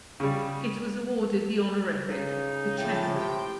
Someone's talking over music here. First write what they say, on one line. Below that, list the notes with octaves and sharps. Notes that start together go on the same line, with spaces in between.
It was awarded the honorific "Pechenga".
C#3 G3
C#3 D#4
A2 F3 G5 A6
G4 C5 G5